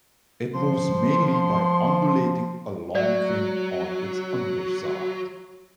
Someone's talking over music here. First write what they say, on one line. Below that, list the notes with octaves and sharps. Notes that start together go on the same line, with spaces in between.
It moves mainly by undulating a long fin on its underside.
F3 C6
F#3 D5